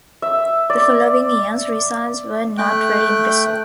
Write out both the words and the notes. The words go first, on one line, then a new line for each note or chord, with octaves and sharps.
The following years' results were not very impressive.
E5
D5
A3 G5 F#6